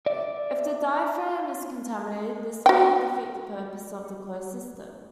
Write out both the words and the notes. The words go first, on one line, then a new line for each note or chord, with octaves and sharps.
If the diaphragm is contaminated this may defeat the purpose of the closed system.
D5 E5
F#4 G5